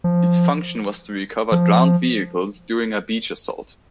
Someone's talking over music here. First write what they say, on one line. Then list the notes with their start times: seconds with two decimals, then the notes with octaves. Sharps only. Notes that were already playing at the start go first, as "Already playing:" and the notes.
Its function was to recover drowned vehicles during a beach assault.
0.04 F3
1.52 F3